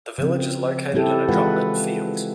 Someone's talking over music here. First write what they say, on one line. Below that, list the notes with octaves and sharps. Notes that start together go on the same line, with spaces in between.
The village is located in a drumlin field.
C#3 F3 C4
G3 C4 E4 G4 A4
E3 G#3 F4 B4 F#5